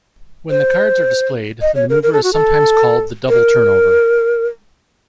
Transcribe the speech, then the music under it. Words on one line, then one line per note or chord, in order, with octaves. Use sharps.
When the cards are displayed, the maneuver is sometimes called the "double turnover".
C5
D#5
C#5
A#4
A#4
A4
F#4
A4
A#4